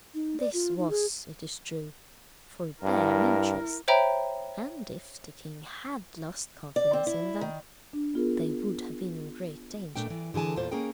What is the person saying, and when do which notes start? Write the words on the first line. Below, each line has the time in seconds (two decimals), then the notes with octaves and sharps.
This was, it is true, for their interest; and if the king had lost confidence in them, they would have been in great danger.
0.14 D#4
0.40 D5
0.54 F4
0.78 D#4
0.90 G#4
2.83 G2 E4 A#4
3.88 C5 C#5 E5 G5 A#5 B5
6.76 D5
6.93 C4
7.07 E4
7.41 D#3
7.93 D4
8.14 B3 F4 G#4 A#4
9.96 A#2 A3 D4 G5
10.10 E3
10.34 D3 E3 G#4 G#5 A5
10.56 E2 A#2 F4 C5
10.71 A#3 C#4 G#4 A#4 G5